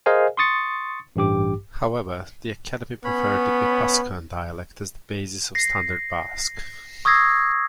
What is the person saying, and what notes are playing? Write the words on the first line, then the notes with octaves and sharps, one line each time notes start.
However, the Academy preferred the Guipuscoan dialect as the basis of Standard Basque.
G#4 A#4 C5 D#5 F5 G#5
C6 C#6 D#6 A6 C#7
A1 G2 G4 D6
B3 C#4 C#5 B5
A#6 C7
C#6 D#6 E6 G#6 A#6 C7